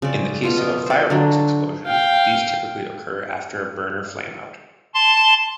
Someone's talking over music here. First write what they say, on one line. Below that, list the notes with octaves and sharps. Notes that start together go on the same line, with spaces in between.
In the case of a firebox explosion, these typically occur after a burner flameout.
C#3 C4 D5
B2 F4 A#5
D#5
C5 D5
D3 F#3 D4
F5 G5
A5 C6